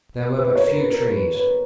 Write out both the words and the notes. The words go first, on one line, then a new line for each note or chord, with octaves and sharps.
There were but few trees.
B4
C#5
A#4
B4
A#4
B4
B4